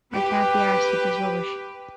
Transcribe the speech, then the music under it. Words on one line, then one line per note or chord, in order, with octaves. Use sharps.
I can't be arsed with this rubbish.
G4 B4